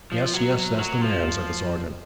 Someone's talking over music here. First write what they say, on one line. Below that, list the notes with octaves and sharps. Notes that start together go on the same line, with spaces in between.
'Yes, yes; that's the man,' said the sergeant.
F3
F#3
F#3
F3
F#3
F3